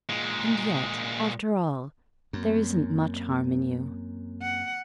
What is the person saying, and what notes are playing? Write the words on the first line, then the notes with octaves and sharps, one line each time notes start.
And yet, after all, there isn't much harm in you.'
A#2 G#3
F#2 A#3 C4
F#5